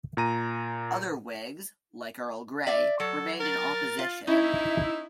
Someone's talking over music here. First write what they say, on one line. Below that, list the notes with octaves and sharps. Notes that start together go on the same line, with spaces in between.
Other Whigs, like Earl Grey, remained in opposition.
A#2 A#5 D#7
D5 E5
F#3 A4
A#4 A6
F4
C#4 D#4 E4